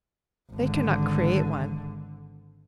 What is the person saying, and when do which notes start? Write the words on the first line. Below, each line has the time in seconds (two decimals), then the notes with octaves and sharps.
They cannot create one.
0.52 G#1 D3